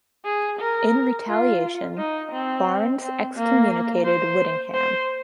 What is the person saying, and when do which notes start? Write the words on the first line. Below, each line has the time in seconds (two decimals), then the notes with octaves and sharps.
In retaliation, Barnes excommunicated Whittingham.
0.25 G#4
0.59 A#4
1.28 F4
1.97 D#4
2.32 C4
3.01 C4
3.36 A#3
4.04 C5
4.73 C5